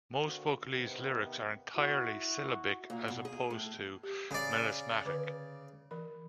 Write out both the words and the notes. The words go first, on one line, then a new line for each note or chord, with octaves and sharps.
Most vocalese lyrics are entirely syllabic, as opposed to melismatic.
D3 A#3 C4 F#4
C3 D#3 B3 C4
E4 F#4
A#2
B2
G#4
A2
G4
C#3 D5
D3 B4 D6
E3 A#4 B5